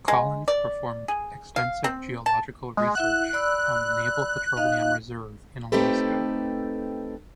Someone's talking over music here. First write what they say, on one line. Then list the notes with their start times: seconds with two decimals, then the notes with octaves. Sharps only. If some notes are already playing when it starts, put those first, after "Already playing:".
Collins performed extensive geological research on the Naval Petroleum Reserve in Alaska.
0.08 G#3
0.48 D5
1.08 G#4
1.56 F5
1.84 C4
2.26 A5
2.77 G#3
2.95 E4 E5 F#5 F#6
3.33 D5 B5 E6
4.57 D#4 D#5 F5
5.72 A3 C4 D#4 G4 A4 B4